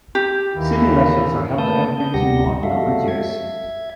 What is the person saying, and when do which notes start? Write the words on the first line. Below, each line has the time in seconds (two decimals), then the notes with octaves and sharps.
City elections are held every two odd numbered years.
0.15 G4
0.54 D#2 E3
1.58 A3 A#3 B4 A5 D#6 G6
2.00 D4 G6
2.14 D2 C3 G3 G4 F#5 A#6
2.63 G3 G#3 F#4 A4 E5 F5
3.08 E5 G#6